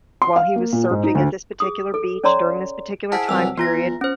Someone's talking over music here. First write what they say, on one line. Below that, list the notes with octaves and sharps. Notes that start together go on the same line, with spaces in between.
while he was surfing at this particular beach during this particular time period,
C6
F5
A#3
A#2
G#2
D#4
D2
G#4 D#6
A4
C#4 C#5 D5 A#5 C6
E4 G#4 C5 F#5 A5
C2 E3 F#3 E6
E2 B3 F4 A#6
C#4 C5